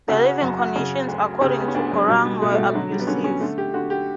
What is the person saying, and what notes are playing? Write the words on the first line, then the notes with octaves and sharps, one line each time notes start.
The living conditions according to Gurung were abusive.
C#3 F#4
F#4
F#2 F#4
F#4
C#3
D2
C#3 G4
B3
C#4
D2 D4
F#3
B2 G3
G3
B2 A3
A3
G3
D3 F#3
G3
B3
D3 C#4
C#4
D3 A3
G4
D3 F#4
G4